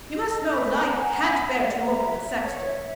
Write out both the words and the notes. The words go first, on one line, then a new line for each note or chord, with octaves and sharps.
You must know that I can't bear to look at a sexton!
D#5
D#5
E5 B5
F#5 B5
F#5 G#5
A#5
G#5
E5 A#5
E5
C#5
E5